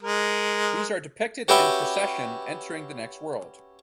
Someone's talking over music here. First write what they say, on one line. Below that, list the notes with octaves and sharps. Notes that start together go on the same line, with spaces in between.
These are depicted in procession entering the next world.
G#3 A#4
C#4 F#4 G4 B4 E5 G5